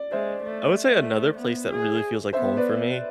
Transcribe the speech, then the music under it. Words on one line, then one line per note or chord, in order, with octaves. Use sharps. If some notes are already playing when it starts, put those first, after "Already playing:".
I would say another place that really feels like home for me,
Already playing: D5
G#3 C5 E5
A3
A3
B3
G#4
B3 C5 E5
B4 D5